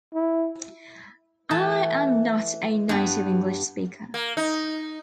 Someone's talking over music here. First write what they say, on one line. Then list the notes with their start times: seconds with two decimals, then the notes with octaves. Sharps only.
I am not a native english speaker.
0.14 E4
1.51 E3 A3 A5
2.89 G2 B3
4.14 A#3
4.37 D#4